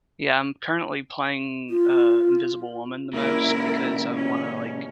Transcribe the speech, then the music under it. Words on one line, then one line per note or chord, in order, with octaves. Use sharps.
Yeah, I'm currently playing, uh, Invisible Woman the most, because I wanna, like,
F4
A#2 C#3 E4 A#4
C#4